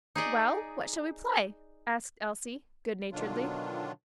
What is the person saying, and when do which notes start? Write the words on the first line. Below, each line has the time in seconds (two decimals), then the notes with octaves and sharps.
"Well, what shall we play?" asked Elsie, good-naturedly.
0.15 D#4 G#4 D5 D#5
3.12 B2 D3 D#3 F#3 D4 F4